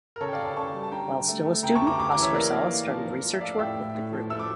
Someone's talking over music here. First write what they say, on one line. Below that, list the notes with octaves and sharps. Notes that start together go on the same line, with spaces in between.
While still a student, Oscar Sala started research work with the group.
A#4
C#3 A4 C#5
G5
D5 F5
C#3
F5 A5
C#3 A5 C#6
G3
A5
D3 G5 A#5
D3
A3
A3
C#3 G5 A#5
A5 C#6
D2
A#5 D6
D2 A#5 D6
A#5 D6
E3
C#5 E5
A#3 A#4 D5
A#3
A#3
F3
F3
F3
E5
A3 D5 F5
F5
A2 E5 G5
A2
A2
F3
A3 E6
D6